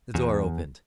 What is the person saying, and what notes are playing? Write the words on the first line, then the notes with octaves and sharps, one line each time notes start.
The door opened.
E2